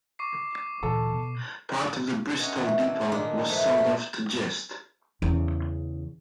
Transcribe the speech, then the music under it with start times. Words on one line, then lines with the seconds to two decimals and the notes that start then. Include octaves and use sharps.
Part of the Bristol depot was sold off to Gist.
0.19 C#6 D6 C7
0.83 D1 A#2 E3 A4
1.14 B2
2.39 C#4 D#4 F#4 C#5 D#5 G#5
2.56 D#3 E3
2.80 E4 D5 A5
3.12 A#2 D#3 G#3 A#3 D4
3.48 G#2 F3 A3 E4 B4
3.78 G3 D4 F4
5.22 E2 C#3